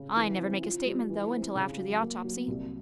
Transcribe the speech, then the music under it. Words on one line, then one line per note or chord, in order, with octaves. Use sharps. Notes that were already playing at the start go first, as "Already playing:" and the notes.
I never make a statement, though, until after the autopsy.
Already playing: C#3
E3
C4
F4
G3
E3
C4
C#3
F#3
A#3
F#3
C2